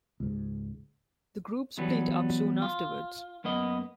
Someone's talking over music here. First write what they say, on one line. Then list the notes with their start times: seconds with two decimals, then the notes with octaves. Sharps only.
The group split up soon afterwards.
0.20 C#2 G#2
1.78 E2 F#3 G3 B3
2.62 F4
3.44 F#2 A#3 B3 D#5